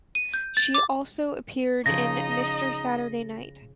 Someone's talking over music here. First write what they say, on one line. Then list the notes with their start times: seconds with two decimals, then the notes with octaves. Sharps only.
She also appeared in "Mr. Saturday Night".
0.15 D#7
0.34 G6
0.57 A6
0.75 D6
1.86 C#3 F3 D#4 D#5 A#6